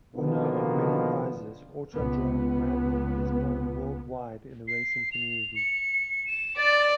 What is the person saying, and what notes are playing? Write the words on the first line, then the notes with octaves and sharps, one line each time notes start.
Winner of many prizes Autodrome Granby is known worldwide in the racing community.
B2 D3 D#3 F3 A#3 B3
C#2 B3
C7
F7
C#7
E7
D5 A6